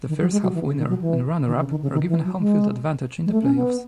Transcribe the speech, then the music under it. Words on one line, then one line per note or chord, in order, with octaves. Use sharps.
The first half winner and runner-up are given home-field advantage in the playoffs.
D#3
F#3
G#3
F#3
E3
C#3
D#3
F#3
E3
D#3
C#3
D#3
C#3
D#3
E3
F#3
G#3
G#3
A3
C#4
B3